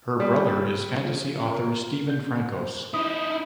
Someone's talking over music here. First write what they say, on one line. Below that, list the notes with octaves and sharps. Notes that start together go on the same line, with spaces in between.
Her brother is fantasy author Steven Frankos.
G3
F3
A#4
G6
C5
D#4 E4 D#6